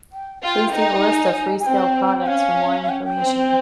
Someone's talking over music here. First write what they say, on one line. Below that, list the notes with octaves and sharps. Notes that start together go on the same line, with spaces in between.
Please see the List of Freescale products for more information.
G5
F4 G5
D#4
G#5
G#5
C4 G5
C#4 F5
F5
G5
G5
C4